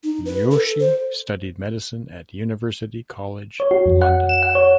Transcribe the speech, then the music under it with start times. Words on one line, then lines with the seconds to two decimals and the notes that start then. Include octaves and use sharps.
Joshi studied medicine at University College London.
0.04 D#4
0.26 B4
0.51 A4
0.79 C5
3.60 C#5
3.71 F#4
3.86 F2
4.02 F#5
4.29 E7
4.43 F#5
4.55 C#5